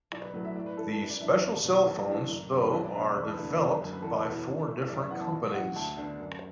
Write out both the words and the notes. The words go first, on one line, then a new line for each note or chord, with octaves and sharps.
These special cellphones, though, are developed by four different companies.
B1 D5
B4
A2 F#3 A3 B4
E5
A2 D5
B4
A3 E4 A4
A4
F#2 B4
D5
E3 D4 E5
D5
F#1
E2 B2
B1 A4
A2 E3 D4
F#1
F#2 D3 B3
A4
B1 B4
D5
B2 B3 D4 E5
D5
E1 B4
A4
B4
D2 D3 B3 E4
F#1
F#2 D3
B4
E2 A4
B2 B3 E4 B4
A2
A3 E4
F#2 D5
E5
E3 B3 E4 F#5
A5
B1
A2 E3 F#5
D2 A5
D3 B3 D4
F#2